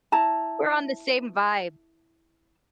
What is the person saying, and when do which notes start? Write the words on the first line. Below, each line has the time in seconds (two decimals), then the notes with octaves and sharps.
We're on the same vibe.
0.12 E4 A5 A#5